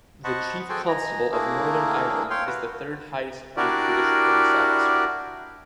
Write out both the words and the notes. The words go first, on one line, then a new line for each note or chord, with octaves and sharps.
The Chief Constable of Northern Ireland is the third-highest paid British police officer.
C5 D#5 F#5 A5 B5 C#6
F#4 G#4 A4 C5 G5 G#5
D#5 G#5 A#5
A3 A#3 D4 E4 G#4 A#4
C#5 F5 G5 C6
F#4 B4
D4 E4 F#4 G4 A#4 D5